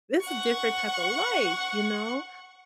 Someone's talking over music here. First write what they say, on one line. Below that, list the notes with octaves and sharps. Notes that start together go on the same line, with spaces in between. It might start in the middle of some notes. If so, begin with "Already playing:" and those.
this is different type of life, you know."
F#5 C#6